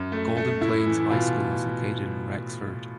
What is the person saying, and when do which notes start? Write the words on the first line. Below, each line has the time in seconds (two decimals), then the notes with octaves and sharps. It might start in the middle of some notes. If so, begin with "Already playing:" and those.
Golden Plains High School is located in Rexford.
Already playing: F#2
0.12 A3
0.37 A3
0.61 A2 E4
0.86 E3
1.10 B2 F4